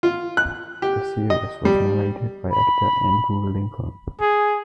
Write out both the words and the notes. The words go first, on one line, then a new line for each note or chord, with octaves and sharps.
The series was narrated by actor Andrew Lincoln.
F4
F#6
G4
D#5
G3
B5
G#4